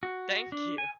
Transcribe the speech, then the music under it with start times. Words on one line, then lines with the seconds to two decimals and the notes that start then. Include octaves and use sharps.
Thank you.
0.03 F#4
0.52 D4
0.78 G#5